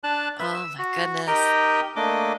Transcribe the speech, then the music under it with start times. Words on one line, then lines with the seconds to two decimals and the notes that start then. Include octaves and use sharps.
Oh, my goodness.
0.04 D4 A5 F#6
0.40 B4 E5
0.55 E6
0.79 F#4
1.27 D#4 G4 A#4 D#5 G5 A#5
1.96 A3 A#3 D4 D#5 D6